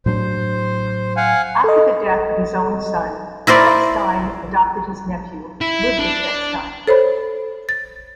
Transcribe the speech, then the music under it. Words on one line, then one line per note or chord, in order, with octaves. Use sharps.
After the death of his own son, Bechstein adopted his nephew Ludwig Bechstein.
A2 F#3 D4 C5
F5 F#5 G#5
A4 D#5
E4 A#4 C5 D5
E4
D4
A4 C5 C#5 B5
A6